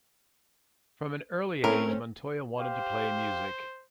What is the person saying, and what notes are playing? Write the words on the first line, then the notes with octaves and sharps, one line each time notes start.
From an early age, Montoya wanted to play music.
A2 A3 C4 C#4 A#4
G4 C5 F5